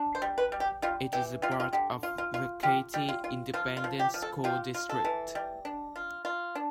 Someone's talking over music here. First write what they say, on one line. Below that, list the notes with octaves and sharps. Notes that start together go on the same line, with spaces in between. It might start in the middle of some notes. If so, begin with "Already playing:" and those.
It is a part of the Katy Independent School District.
Already playing: D4
C5
G3
B4
G3
G4
G3 F4
E3 G4
G3 F4
G4
F4
D3 G4
F4
F4
F4
F4 G4
G3
F4
F4
F3 F4
F4
F3
G4
F3
A4
F4 G4
F4
A4
E3
G3
D4
F4
F4
D4